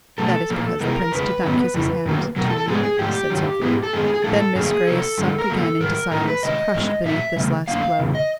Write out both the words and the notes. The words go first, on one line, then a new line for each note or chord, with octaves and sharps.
"That is because the prince did not kiss his hand to you," said Sophy. Then Miss Grey sunk again into silence, crushed beneath this last blow.
B2 F#3 A3 A4
A#2 F3 A#3
C3 E3 G#3 B3 A#4
A#4
E2 C#3 G#3 B4
G#2 D#3 F#3 B3
F2 C#3 E3
F#2 D#3 F#3 A#3
E2 B2 F#3 A#4
A4
A4
G#2 F3 G#3 B3 G#4
G#4
G#2 F3 A3 G4
G2 D#3 F#3
G#2 E3 G#3 B3
A4
F#2 D#3 G#3 B3 G#4
G#4
A2 F3 A3 A4
G2 D#3 F#3 A#3 G#4
C3 D#3 F#3 A#3 A4
G2 D3 F3 G#3
A#4
E2 C#3 F#3 A#3 A4
G#2 D#3 G3 A#4
A2 E3 A3 A#4
B4
C3 D#3 G#3 D#5
G2 E3 G#3
A#2 F#3 A3 E5
C#3 E3 A3
F#2 D3 G3 A#3 F5
E2 C#3
D#5